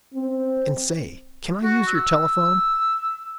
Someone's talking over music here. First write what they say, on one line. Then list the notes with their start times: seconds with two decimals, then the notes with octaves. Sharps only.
'And say, can I use your telephone?'
0.14 C4
1.64 F#4
1.88 E6